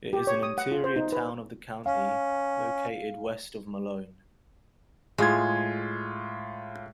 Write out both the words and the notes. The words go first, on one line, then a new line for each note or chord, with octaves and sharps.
It is an interior town of the county, located west of Malone.
G4
C#5
D#6
F#5
F4
C5
D#4
B4
C#4 F5
A2 G#3 F4 G#6